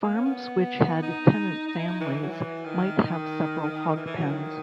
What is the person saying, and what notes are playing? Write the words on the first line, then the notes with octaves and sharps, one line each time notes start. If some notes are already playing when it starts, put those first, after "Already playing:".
Farms which had tenant families might have several hog pens.
A#3
C#4
B3
D#4
D#4
E4
D#4
E3
F#3
E3
D#3
D#3
E3
E3
F#3
D#3